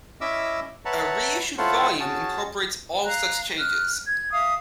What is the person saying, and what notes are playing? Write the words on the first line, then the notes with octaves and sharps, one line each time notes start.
A reissued volume incorporates all such changes.
C#4 E4 D#5 E5 D6 E6
B4 C#5 E5 F#5 A5 A#5
E4 F4 A4 C5 C#5 F#5
C#4 F#4 G#4 A5
F5 A#5 F#6
F6 F#6
G#6
E5 F5 D#6